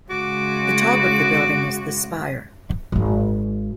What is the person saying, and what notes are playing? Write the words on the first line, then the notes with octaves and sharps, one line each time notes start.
The top of the building is the spire.
C#3 G#3 F#4 D6
D#1 G#1